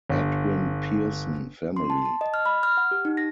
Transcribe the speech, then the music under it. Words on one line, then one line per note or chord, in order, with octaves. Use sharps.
Edwin Pearson family.
G1
C6
A5
A5
D#5
F6
B5
F6
F#5
G4
D#4
A#6